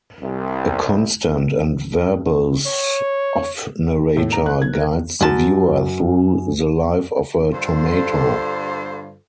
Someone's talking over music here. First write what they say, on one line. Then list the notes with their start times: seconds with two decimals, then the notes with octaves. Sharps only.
A constant and verbose off-narrator guides the viewer through the life of a tomato.
0.22 C2
2.66 C#5
4.17 A2
4.32 A#5
4.46 F#6
4.62 G#6
4.74 A#4
5.21 F#2 A5
7.53 G2 D3 F4 A4 C5